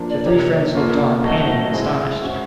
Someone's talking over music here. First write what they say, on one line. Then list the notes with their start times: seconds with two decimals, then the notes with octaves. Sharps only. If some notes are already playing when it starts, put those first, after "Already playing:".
The three friends looked on, panting and astonished.
Already playing: F3 A#3 D4
0.09 D5
0.26 C3 F3 A#3 D#4 G4 C#5
0.75 A#3 C#4 F4 A4
1.23 B2 F#3 A3 C#4 F#4 D#5
1.73 G#3 C4 E4 G#4
2.22 G#3 C#4 F#4